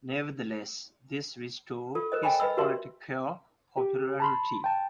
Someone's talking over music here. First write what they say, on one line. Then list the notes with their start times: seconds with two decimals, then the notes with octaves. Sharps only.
Nevertheless, this restored his political popularity.
1.95 F4 A4
2.12 A#4 C5 D#5
2.23 D#5 G5 G#5 A#5 B5
2.40 B4 D#5 B5 E6
2.57 F#4 G4 A#4 E5 C6
3.77 G4
4.20 A5 B5 C6
4.64 G5 A5